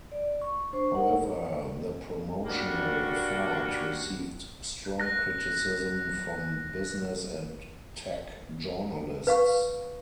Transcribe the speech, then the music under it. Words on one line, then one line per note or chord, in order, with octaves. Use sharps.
However, the promotional effort received strong criticism from business and tech journalists.
D5
C#6
D4 C5 C#6
D#4 A#4 F#5
G3 A#3 D4 F#4
F#6 A#6
B4 F5 C#6